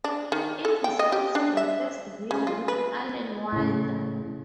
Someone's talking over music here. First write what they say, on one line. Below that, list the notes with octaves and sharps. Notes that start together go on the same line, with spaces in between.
It was also the first video with Alan Wilder.
D4
D#3
A4
G5
D#5
G4
D4
E5
C#3
F4
B4
A2 C#3